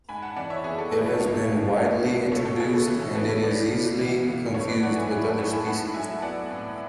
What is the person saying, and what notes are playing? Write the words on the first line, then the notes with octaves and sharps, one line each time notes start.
It has been widely introduced and it is easily confused with other species.
G#2 G#5 B5
F#5 A5
E3 D5 F#5
C#5 E5
B3 G#4
A4
G#2 G#4 B4
A4 C#5
C#2
B2
G#3
B3
C#2 A4 C#5
A4 C#5
C#3 G#4 B4
A4
E3 A4
A4
B3 G#4 B4
A4 C#5
C#2 B4 D5
C#3
E3
C#2
A2 A4 C#5
B4 D5
F#3 D5 F#5
E5 G#5
A3 G#5 B5
G#5 B5
A2 A5 C#6
G#5 B5
A2 F#5 A5
F#3 E5 G#5
B3 D5 F#5
A2